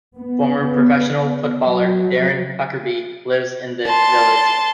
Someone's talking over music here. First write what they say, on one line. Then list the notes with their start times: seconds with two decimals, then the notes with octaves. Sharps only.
Former professional footballer Darren Huckerby lives in the village.
0.18 B3
1.62 F#3
3.86 A5 C6